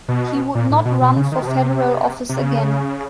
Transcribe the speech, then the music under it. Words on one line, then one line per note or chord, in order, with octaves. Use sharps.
He would not run for federal office again.
B2
A#2
A2
B2
B2
C#3
D#3
B2
C3
C3
C#3